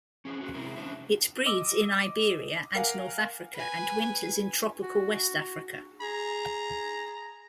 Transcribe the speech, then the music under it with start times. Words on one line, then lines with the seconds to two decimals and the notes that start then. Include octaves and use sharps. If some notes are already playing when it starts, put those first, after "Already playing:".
It breeds in Iberia and north Africa, and winters in tropical west Africa.
0.25 C#4 G#4 C5 F#5
0.38 C#4 F#4 G#4
0.54 C3 G#3 C4 E4 A#4
0.76 C#4 D4 C5 E5
1.46 D#5 D6 E6
2.75 A#4 F5 F#5 G#5
3.55 B4 G#5
4.83 F#4
6.02 G#4 A#5